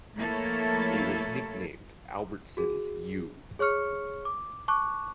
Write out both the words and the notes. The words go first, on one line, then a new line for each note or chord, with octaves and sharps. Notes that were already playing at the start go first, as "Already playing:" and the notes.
It was nicknamed Albertsons' U.
F3 A3 A#3 E4 A4 C#5
F#4 G#4
G#4 C#5 C#6 F6 C#7
D6
A5 C#6 D6 F#6